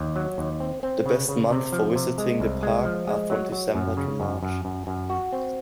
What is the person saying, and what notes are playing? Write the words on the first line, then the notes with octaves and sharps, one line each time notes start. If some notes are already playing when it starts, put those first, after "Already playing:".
The best months for visiting the park are from December to March.
Already playing: D#2
F#3
D#2
C4
C4
C#3
C#3
C3
F3
C3
G#3
C2
G#3
F3
G#3
F#3
F#3
F#2
C#3
F#2
F#2
F#2
F#2
F#4
C4